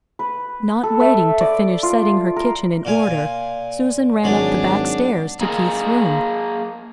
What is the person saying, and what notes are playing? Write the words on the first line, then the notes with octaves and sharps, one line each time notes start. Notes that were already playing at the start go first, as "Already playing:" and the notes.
Not waiting to finish setting her kitchen in order, Susan ran up the back stairs to Keith's room.
B4
A4
E5
D5
F4
A#4
A#2 F5 G#5
G#1 F#3 D4 G#4
A#3 G#4 A#4 D#5